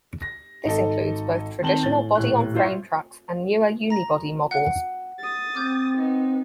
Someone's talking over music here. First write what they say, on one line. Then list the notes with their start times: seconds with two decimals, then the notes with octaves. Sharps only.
This includes both traditional body-on-frame trucks and newer unibody models.
0.22 A#6
0.65 G#1 D#4 A4
1.62 D#3 C4 A5 F#7 G7
1.83 A2 A6
2.15 D#1 A2 F#6
2.54 E4 F4 C5 C#5 E5
3.90 A#5 A#6
4.51 F#5 F#6
5.19 D#6 A6
5.55 C4 D6 F6 G6
5.97 B3 D#4